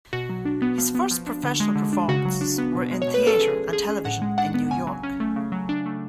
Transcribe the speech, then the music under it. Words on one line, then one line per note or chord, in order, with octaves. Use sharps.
His first professional performances were in theater and television in New York.
B2 F#4
F#3
D4
B3
F3
B3
F3
D4
D3
G#3
D3
D4
C#3 F#4
F#3
D4
B3
B2
G#3
C#5
B2
B4
C#4 A4
F3 G#4
G#3
F3 G#4
C#4
A2 F#5
G#3
D4 F#5
B3
C#3 G#5
F#3
C#4
A3
C#3
F#3
D4
A3